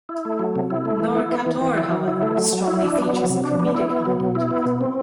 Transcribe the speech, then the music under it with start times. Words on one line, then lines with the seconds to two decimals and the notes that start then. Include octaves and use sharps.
Knorkator, however, strongly features a comedic element.
0.09 E4
0.25 A3
0.39 F#3
0.56 C3
0.70 E4
0.85 A3
1.00 E3
1.15 E4
1.32 B3
1.46 E3
1.61 E3
1.77 E4
1.92 F#3
2.08 E4
2.23 A3
2.37 F#3
2.53 F#3
2.68 E4
2.83 D4
2.98 B3
3.13 F#3
3.29 C3
3.44 D4
3.59 B3
3.75 E4
3.90 B3
4.05 F#3
4.20 B2
4.35 E4
4.51 B3
4.65 B2
4.81 C4